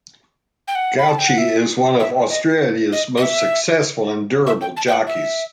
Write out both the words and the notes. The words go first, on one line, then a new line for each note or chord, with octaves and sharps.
Gauci is one of Australia's most successful and durable jockeys.
G5
F#5
B5
A5
G5
F#5
E5
E5
D#5
D#5
D#5
E5
E5
G5
A5
G5
F#5
E5